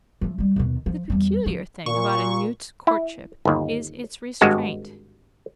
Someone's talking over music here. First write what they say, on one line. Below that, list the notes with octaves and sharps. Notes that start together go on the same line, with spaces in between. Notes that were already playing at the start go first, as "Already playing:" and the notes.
The peculiar thing about a newt's courtship is its restraint.
F3 A3
G3 G#3
D#2 B2
F3
E2 G3
F3
A#2 C#6
E4
G1 D#2
G#1 G2 G#3 F#4